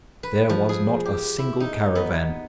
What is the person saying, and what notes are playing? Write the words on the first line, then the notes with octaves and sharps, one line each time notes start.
There was not a single caravan.
B4
F3
G#4
G4
E4
D#4
B3